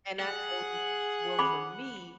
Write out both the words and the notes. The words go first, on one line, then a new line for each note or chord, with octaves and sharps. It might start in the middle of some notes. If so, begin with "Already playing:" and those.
And I told him, "Well, for me,
G#4 F#5
B5 D6